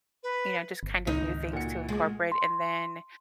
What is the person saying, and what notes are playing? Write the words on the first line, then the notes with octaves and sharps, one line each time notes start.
you know, just kind of new things to incorporate, and then
B4
G1
G#1 C#2 D#3 D#4
A#2 F#4 C#7
G#3
C6